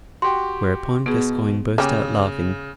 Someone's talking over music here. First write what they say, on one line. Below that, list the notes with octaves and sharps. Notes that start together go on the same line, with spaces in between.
Whereupon Gascoyne burst out laughing.
F#4 G4 G5 C6
B2 B3 G#4
C#3 A#3 C#4 G4